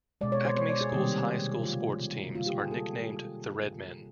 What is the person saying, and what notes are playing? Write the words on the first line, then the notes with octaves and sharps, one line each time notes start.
Acme School's high school sports teams are nicknamed the Redmen.
B2 G#3 D5
C#5
C5
C#5
D5
G#4
C3 D#3 G3 A#3 G4
C#3 F3 A3 F4
D3 G3 A#3 F4
G4
G#4
A4